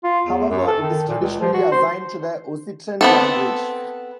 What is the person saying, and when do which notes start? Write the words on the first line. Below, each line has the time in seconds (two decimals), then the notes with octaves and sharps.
However, it is traditionally assigned to the Occitan language.
0.04 F4
0.26 E2
0.50 F#2
0.67 A4
0.82 D#3
1.09 A#2
1.21 C#2
1.41 F3
1.54 F#4
1.72 C5
3.01 B3 C4 A4